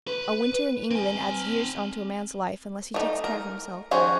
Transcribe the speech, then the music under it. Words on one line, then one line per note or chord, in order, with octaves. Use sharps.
A winter in England adds years on to a man's life unless he takes care of himself.
B4
C4 G#5
A3 D#4
A#4
D#3 F3 C#4 F#4 G#4